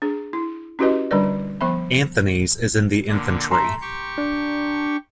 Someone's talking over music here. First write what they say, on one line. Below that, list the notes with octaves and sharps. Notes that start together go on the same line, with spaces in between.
Anthony's in the Infantry.
D4 G#4
E4
C#4 E4 F#4 G4 B4 D#5
D3 G3 D4 B4 D5
F3 B3 E5 B5
A#2 D3
A3 E5 A#5 C6
G4 C#6
D4